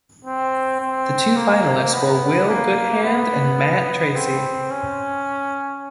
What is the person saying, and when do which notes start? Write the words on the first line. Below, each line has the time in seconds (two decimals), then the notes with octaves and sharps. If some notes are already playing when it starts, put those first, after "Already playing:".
The two finalists were Will Goodhand and Matt Treacy.
0.25 C4
0.80 C4
1.37 A#3
1.93 B3
2.48 A#3
3.04 B3
4.15 C4
4.71 C#4